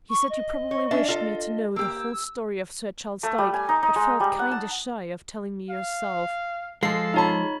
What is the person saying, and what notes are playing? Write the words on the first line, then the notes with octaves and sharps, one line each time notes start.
He said you probably wished me to know the whole story of Sir Charles Dyke, but felt kinder shy of telling me yourself.
C#6
D#5
C#5
C#4 D4 E5
F4 A4
A#3 G4 E6
A3
G3
G#5
D#4
D#4
G#3
G3
F#5
A5
F5
F3 G#3 A4 F5 C7
D#4 F4 C#5 A5 B5